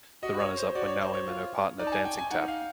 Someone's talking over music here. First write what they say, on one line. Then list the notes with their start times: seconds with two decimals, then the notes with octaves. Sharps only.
The runners up were Naoimh and her partner, dancing tap.
0.23 F#4 D#5
0.40 C#5
0.57 C5
0.75 F#4 D5
0.88 C#5
1.01 C5
1.14 C#5
1.27 F4
1.79 D#4 D5
1.87 A5
1.92 G#5
2.05 G5
2.18 G#5
2.31 D#4 F#5
2.48 F5